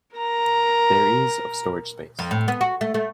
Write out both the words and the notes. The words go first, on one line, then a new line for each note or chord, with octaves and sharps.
There is of storage space.
A#4 A#5
F2
A2
B3
F#4
A3
A3